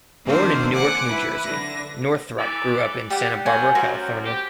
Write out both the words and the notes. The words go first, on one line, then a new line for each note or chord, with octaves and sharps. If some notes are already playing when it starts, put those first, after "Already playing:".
Born in Newark, New Jersey, Northrop grew up in Santa Barbara, California.
D#3 F3 A#3 C4 D4 C5
F#5 G#5 D6
E4 B4
D3 A#6
E3 A4 D5
G3 G4 F#5
A#2 F3 F#3 G#5
F#2 F#4 A#4 C5
G4